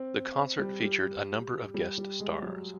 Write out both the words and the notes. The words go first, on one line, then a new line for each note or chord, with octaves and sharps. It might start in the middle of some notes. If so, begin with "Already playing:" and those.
The concert featured a number of guest stars.
Already playing: C4
G3
G3
G3
G3
G#3
F#3